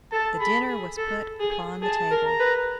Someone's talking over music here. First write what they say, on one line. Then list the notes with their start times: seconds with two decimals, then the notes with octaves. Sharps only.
The dinner was put upon the table.
0.12 A4 A5
0.40 G#4 B5
0.69 G#4
0.97 A4
1.40 G#4
1.82 G#4 A5
2.11 A#4
2.25 A#5
2.39 B4